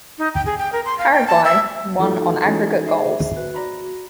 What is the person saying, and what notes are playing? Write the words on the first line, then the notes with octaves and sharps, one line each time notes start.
Paraguay won on aggregate goals.
D#4
G5
G#4
G5
A#4
C6
F5
G5
A5
E5
F3 G3 A3 D#4 F#4 A4
E3 G#3 C#4
D#4 G#4 C5 E5
F#4 B4
D5 A#5 B5